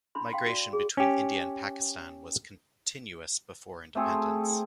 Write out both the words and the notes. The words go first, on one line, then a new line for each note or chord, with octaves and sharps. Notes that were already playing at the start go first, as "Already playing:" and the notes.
Migration between India and Pakistan was continuous before independence.
D4 E4 B5 C6
F5 G5 C6
F#4 D5
G#4
C#4 G4
A3 C4 G#4 A4